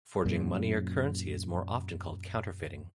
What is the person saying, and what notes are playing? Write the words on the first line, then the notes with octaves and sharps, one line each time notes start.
Forging money or currency is more often called counterfeiting.
F#2 A#2